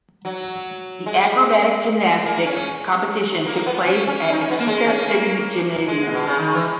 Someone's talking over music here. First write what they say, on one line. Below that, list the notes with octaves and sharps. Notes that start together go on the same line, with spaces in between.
The acrobatic gymnastics competition took place at Akita City Gymnasium.
F#3
G#3
A#3
C#4
A#3
B3
C#4
C#4
D#4
C#4
B3
A#3
G#3
C#4
A#3
G#3
B2
C#3
D#3
E3